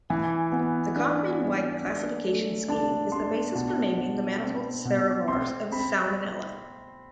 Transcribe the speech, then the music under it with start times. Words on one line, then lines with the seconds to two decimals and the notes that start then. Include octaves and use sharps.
The Kauffman-White classification scheme is the basis for naming the manifold serovars of "Salmonella".
0.10 E3 G#5
0.52 B3
0.96 D4
1.40 B3
1.83 D4
2.26 A3
2.68 D4 A5
3.12 D4 C6
3.55 B2 A5
3.98 B2
4.42 C4
4.85 B2
5.28 C4 C6
5.72 C4 B5